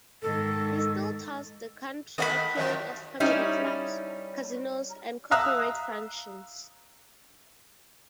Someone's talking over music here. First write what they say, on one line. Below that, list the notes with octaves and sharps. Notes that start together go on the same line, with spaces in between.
He still tours the country appearing at comedy clubs, casinos and corporate functions.
G#2 D#3 A4
D#3 A3 A#3 D#5 F#5 B5
F#2 D#3 F3
G3 C#4 D#4 E4
E5 F5 A#5 D#6 E6 F#6